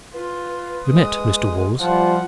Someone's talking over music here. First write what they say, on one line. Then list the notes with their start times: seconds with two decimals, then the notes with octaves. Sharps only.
We met Mr. Woolls.
0.14 F4 B4
0.88 G#3 D#6
1.80 F3 G3 F4 F#5